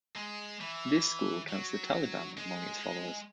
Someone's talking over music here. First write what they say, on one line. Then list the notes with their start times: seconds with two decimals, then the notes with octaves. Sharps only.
This school counts the Taliban among its followers.
0.16 G#3
0.60 E3
1.48 F#3
2.37 G#3